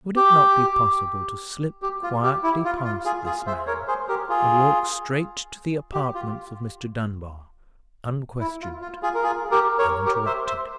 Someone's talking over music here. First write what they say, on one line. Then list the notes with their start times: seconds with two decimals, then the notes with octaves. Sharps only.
Would it not be possible to slip quietly past this man, and walk straight to the apartments of Mr. Dunbar, unquestioned, uninterrupted?
0.17 G4
1.82 G4
2.03 F4
2.23 G4
2.43 E4
2.65 F4
2.85 F4
3.05 F4 G#4
3.26 F4 G#4
3.47 C5 E5
3.67 A#4 C#5
3.88 G#4 C5
4.09 G4 A#4
4.29 F4 G#4
5.94 G4
6.14 F4
8.41 E4
8.62 F4
8.82 F4
9.03 F4 G#4
9.14 A#4
9.23 F4 G#4
9.51 G4 A#4
9.78 A#4 C#5
10.06 G4 A#4
10.26 C5 E5
10.46 C5 E5